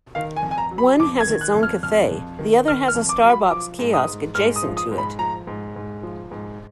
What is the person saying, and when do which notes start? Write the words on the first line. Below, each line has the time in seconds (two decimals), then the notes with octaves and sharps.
One has its own cafe; the other has a Starbucks kiosk adjacent to it.
0.15 D#3 F5
0.36 G#5
0.43 F2
0.51 G#5
0.58 A#5
0.71 F#3
0.78 B5
1.00 F2 D6
1.21 G#6
1.27 D#3
1.41 F#6
1.55 F2
1.63 F6
1.83 F2 F6
2.11 F2
2.39 D#3
2.67 D#3 F6
2.88 F6
2.95 F2
3.09 D6
3.23 F#3
3.30 B5
3.51 F3 D6
3.79 G#2
3.94 D#6
4.07 G#2
4.35 G#2 F6
4.56 D#6
4.63 F3
4.77 D#6
4.91 G#2
4.98 B5
5.19 F3 A#5
5.47 G#2
5.76 G#2
6.03 F3
6.31 G#2